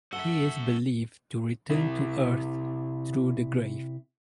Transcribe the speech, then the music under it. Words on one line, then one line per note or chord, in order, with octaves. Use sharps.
He is believed to return to earth through the grave.
F#2 F#4 A4 E5 F#5 E6 E7 G7
C3 E4